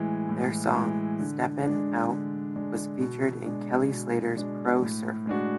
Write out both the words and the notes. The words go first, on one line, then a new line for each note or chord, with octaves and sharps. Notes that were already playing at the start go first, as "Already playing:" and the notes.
Their song "Steppin' Out" was featured in Kelly Slater's Pro Surfer.
Already playing: A2 E3 G#3
A2
E3 G#3
D3
G#3 D4
D3
G#3 D4
B2
G#3 D4
B2
G#3 D4
A2
G#3 D4 F#4